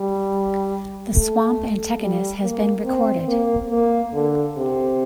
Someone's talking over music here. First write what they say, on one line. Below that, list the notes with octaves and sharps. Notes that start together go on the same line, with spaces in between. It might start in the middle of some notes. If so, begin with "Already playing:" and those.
The swamp antechinus has been recorded.
Already playing: G3
A3
G3
A#3
C4
A#3
A#3
D3
C3